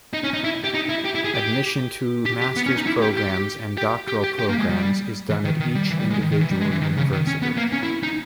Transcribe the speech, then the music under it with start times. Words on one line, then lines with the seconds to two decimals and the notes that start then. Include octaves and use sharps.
Admission to master's programmes and doctoral programmes is done at each individual university.
0.13 D#4
0.24 C#4
0.34 D#4
0.44 E4
0.64 G4
0.74 D#4
0.89 E4
1.05 G4
1.15 E4
1.24 G#4
1.35 G4
2.26 G4
2.42 G4
2.56 B3
2.66 C#4
2.77 D#4
2.87 E4
3.02 G4
3.17 G4
3.78 G4
4.08 G4
4.24 G4
4.39 G4
4.49 A#3
4.58 G#3
4.69 G3
5.29 E3
5.45 D#3
5.60 D#3
5.75 G3
5.90 E3
6.00 G3
6.11 G#3
6.21 D#3
6.31 D#3
6.41 E3
6.51 G3
6.61 G#3
6.71 E3
6.81 D#3
6.97 C#3
7.12 D#3
7.27 C#4
7.42 B3
7.57 A#3
7.72 C#4
7.83 E4
8.03 D#4